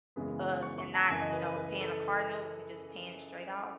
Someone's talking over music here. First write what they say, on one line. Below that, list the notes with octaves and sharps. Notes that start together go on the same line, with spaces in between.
o uh, and not you know, paying a car note and just paying it straight off
F#2 C#3 E3 G#3 B3
C#6
C#6
A5
F#2 C#3 E3 G#5
D#5
B4
B4
B4
A4